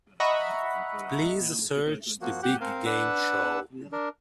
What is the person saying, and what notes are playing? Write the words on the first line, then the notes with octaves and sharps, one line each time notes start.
Please search The Big Game show.
D#5 E5 F#5 A#5 B5 C#6
F3 A#3 F#4
G4 F#5
C4 A#4 F5
D4 B4 F#5 E6
D4 A#4